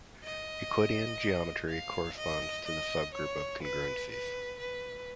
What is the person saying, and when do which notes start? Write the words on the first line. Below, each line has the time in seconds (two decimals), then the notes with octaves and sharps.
Euclidean geometry corresponds to the subgroup of congruencies.
0.24 D#5
1.69 F5
2.18 D#5
2.66 D#5
3.15 C#5
3.63 B4
4.11 B4
4.59 B4